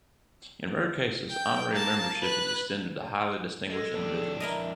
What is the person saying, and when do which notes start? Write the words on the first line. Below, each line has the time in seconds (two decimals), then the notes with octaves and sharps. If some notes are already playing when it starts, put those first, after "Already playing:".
In rare cases, honorary membership is extended to highly distinguished individuals.
1.30 G5
1.72 A#3 A5
2.21 B4 F#6
3.70 G#3 A4
3.95 F2 D4
4.40 E4 A#4 D#5